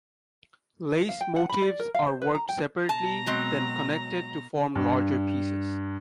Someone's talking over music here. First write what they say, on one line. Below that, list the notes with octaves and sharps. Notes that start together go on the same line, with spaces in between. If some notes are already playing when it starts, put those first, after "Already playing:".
Lace motifs are worked separately, then connected to form larger pieces.
F5
G5
F#5
B5
D5
A#4
F5
C5
B4
A#5
G5
B2 A5 A#5
F#3 G#3 C4
G2